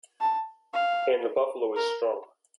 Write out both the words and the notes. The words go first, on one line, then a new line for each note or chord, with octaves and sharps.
And the buffalo is strong.
A5
F5
A#4